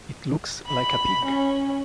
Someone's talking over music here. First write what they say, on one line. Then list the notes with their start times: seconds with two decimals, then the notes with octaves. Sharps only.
It looks like a pig.
0.66 B5
1.26 C#4